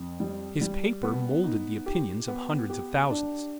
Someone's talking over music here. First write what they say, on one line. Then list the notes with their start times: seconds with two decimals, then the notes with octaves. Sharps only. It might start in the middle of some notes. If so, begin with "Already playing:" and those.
His paper molded the opinions of hundreds of thousands.
Already playing: F2
0.20 G3
0.61 G3
1.03 B3
1.44 D#4
1.86 G4
2.28 B3
2.70 G4
3.10 D4